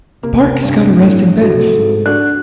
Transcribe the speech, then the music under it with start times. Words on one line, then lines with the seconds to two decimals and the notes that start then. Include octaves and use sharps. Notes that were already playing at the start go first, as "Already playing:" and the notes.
The park has got a resting bench.
0.23 C3 A#3
0.63 G2
0.97 A2
1.41 C2 F#4 A4
1.74 G#2
2.06 D4 F#4 F#6